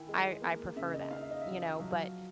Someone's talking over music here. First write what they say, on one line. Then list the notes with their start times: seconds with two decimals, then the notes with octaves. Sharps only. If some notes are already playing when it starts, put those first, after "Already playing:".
I I prefer that. You know? But,
Already playing: D#3 E4 G5 G#5
0.09 G#3
0.42 A#3
0.76 C#3 E5
0.94 D#5
1.11 D#4 F5
1.21 E5
1.31 D#5
1.42 F3 E5
1.80 F#3 F5